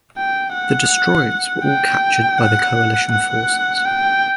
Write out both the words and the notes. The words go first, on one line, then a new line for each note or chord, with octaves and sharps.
The destroyers were all captured by the coalition forces.
G5
F#5
G5
F#5
F#5
G5